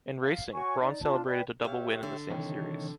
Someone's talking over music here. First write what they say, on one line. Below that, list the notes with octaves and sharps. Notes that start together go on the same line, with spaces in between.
In racing, Brawn celebrated a double win in the same series.
F5
F#4 C#5 G#5 C#6
D#4 D5
D4 F4 A5
B4 D5 G5
G4 C#5 E5 F5
D3
C3 D#3 E3 C#5 G5